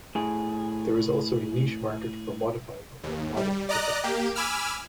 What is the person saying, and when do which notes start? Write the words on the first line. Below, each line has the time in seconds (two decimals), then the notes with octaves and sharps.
There is also a niche market for modifying or "modding" effects.
0.15 A2 G#4
3.03 D#2
3.37 G3
3.69 D5 D#5 A#5 F#6
4.04 A#3 G4
4.35 G#5 B5 D6 E6 F6